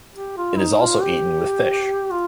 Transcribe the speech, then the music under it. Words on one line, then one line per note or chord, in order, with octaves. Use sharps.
It is also eaten with fish.
G4
F4
D#4
F4
G4
F4